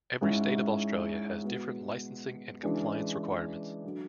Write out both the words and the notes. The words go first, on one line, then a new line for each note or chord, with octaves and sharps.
Every state of Australia has different licensing and compliance requirements.
G#2 G#3 C#4 E4
B2 G#3 B3
C#3 E3 G#3 D4
D3 F#3